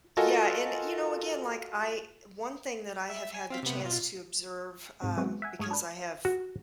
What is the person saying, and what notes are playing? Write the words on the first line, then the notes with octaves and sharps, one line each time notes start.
Yeah and you know again like I one thing that I have had the chance to observe, um, because I have
F4 F#4 A4 A#4 D#5 G#5
E5
G#5
C4 F5 B6
C3 B3
B2 F4
G#2 C3
F#3 G#3 B3 C4 F#4
E5 F#5 G#5
G#2 A3 C#6 D#6 F6 G#6
D4 B4
F#4